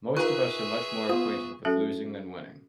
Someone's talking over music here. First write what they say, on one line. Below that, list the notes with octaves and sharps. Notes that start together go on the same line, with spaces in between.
Most of us are much more acquainted with losing than winning.
D#4 F4 G#4 A#4 B4 E5 C#6
B3 F4 D#6
F#3 C#4 F#4 A4 E5